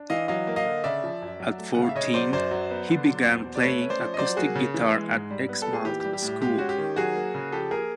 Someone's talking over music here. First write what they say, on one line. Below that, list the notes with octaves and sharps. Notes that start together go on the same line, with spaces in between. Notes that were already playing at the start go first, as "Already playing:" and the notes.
At fourteen he began playing acoustic guitar at Exmouth school.
Already playing: D4
E3 D#5 F5
F#3 D#5 F5
A#3
D#5 F5
D3
C#3 D5 E5
F3
F#2
F#3
A3
C#3 F#5
F5
E5
C#3 C#5 D#5
F#3 C5 D5
F#2 C5 D5
F#3
B3
D3
F#3
E2
B2
D5
A3 B4 C#5
C#4
C5 D5
F3
D#5
F#3 C5 D5
A#3 F#4 G#4
C#3
E3
G#3
G#2
G3
B3
A#2 A4
G#4
E3 G4
G4
G3
G4
A2
G4
G#3 G4
C#4 F#4
G4
D#3
F#3 F#4 G#4
A#3
C#3
F3 G4 A4
A#3 G#4 A#4